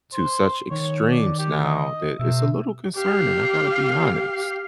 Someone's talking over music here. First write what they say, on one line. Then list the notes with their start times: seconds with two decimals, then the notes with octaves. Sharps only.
to such extremes now that it's a little concerning, I gotta be honest.
0.13 C5
0.71 D#3 C#5
1.11 D5
1.39 G4
1.64 D#5
2.19 B2 E5
2.96 G4 F5